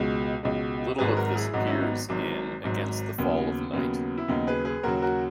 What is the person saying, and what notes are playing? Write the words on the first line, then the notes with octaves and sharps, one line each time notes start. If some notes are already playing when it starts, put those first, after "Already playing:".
Little of this appears in "Against the Fall of Night".
Already playing: C#2 B2 G#3 F#4
C#2 B2 G#3
G#1 G#2 F#3 G#4 B4
F#4 A#4
E4 G#4
G#1 G#2 F#3 D#4 F#4
C#4 E4
B3 D#4
G#1 G#2 F#3
G#1 G#2 F#3
D#2 C#3 F#3 B3
D#2 C#3 F#3 B3
E4
D#2 C#3 F#3 B3 D#4
G#4 B4
G#4 B4
D#2 C#3 F#3 F#4 A#4
F#4 A#4